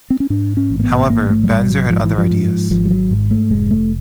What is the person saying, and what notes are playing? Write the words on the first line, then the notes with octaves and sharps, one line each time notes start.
However, Banzer had other ideas.
C4
C#4
G#2 D4
C#4
A1
A#3
B3
G#2 A#3
A3
F#3
A1 G3
F#3
G#2 F3
E3
F3
G#2
G#1 F3
G3
F#3
G#2
A3
F1 G#3
A3